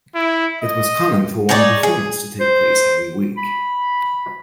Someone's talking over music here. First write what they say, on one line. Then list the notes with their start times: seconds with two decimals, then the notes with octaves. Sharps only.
It was common for one performance to take place every week.
0.15 E4
0.62 D#5
1.49 D#4 G#4 C#5 D5
1.83 G#4
2.40 C5
3.37 B5